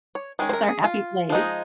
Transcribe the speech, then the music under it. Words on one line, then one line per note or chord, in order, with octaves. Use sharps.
that's our happy place.
C#5
D#3 G#3 C#4
C5
A#4
G#4
F4
F3 G#3 D#4